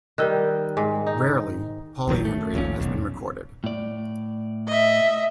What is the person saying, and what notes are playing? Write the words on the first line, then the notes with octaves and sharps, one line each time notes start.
Rarely, polyandry has been recorded.
D#3 G3 A#4 E6 F#6
G#2 G#5
D#4
D#1 A1 D#3 F#3
A3
A#1 D#2 A#2 C#4
E1 B1
A2 D5
D#5 E5